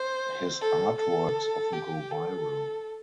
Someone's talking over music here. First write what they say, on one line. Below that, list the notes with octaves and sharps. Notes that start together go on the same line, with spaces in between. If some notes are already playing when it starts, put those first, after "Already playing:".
His artworks often go viral.
Already playing: C5
A4
A4
G4
A4